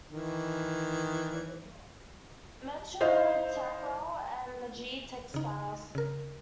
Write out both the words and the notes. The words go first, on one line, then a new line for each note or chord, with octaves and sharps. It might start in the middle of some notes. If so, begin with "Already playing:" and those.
Metro, Takral and Majeed Textiles.
D#3 E3
D#4 E4 C5 D#5 F5
C#3 D#4
C#3 A#4